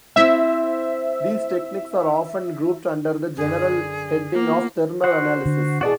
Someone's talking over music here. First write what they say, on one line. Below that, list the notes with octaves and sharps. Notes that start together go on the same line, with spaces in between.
These techniques are often grouped under the general heading of thermal analysis.
C4 E4 C5 E5
F#2 D3 G#4
A#3 B3 F4 F#5
F#4 C5 F#5
D3
B2 E3 F#4 G#4 D5 A5